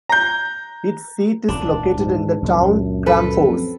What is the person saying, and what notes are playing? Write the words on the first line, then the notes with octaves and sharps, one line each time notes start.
Its seat is located in the town Kramfors.
A#5 G6
D#1 C#2 A#2 D4
G#2
C#2 F#2 A#2 A3
A4 B4
F3 C4